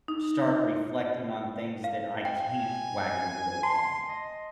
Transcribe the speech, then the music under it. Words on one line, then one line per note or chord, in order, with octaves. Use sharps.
start reflecting on things that I can't wagon wheel on,
D#4
F5
G5 G#5
A5 C6
D#5